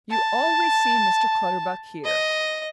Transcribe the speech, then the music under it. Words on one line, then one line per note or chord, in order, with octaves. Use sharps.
You always see Mr. Clutterbuck here.
A5
D#5